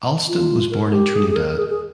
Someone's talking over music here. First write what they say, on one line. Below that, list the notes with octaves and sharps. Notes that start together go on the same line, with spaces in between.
Alston was born in Trinidad.
F4
A#4
G4
G#4
G#4
A#4
G#4
G#4